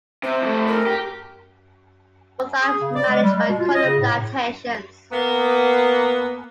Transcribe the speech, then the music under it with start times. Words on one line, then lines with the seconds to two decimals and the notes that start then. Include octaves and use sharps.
Both are managed by Cornell Plantations.
0.23 C3 C5
0.42 F2 A3
0.67 A#4
0.86 G4
2.61 G#4
2.81 C#3
2.95 D5
3.09 G#3
3.22 G3
3.35 G#3
3.48 B2
3.59 F4
3.74 D#5
3.85 C#3
3.99 A2
5.12 A#3 B3